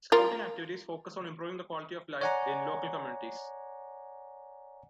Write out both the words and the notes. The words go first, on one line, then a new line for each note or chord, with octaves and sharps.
Scouting activities focus on improving the quality of life in local communities.
F4 A#4
C#5 D5 F#5 G#5 A#5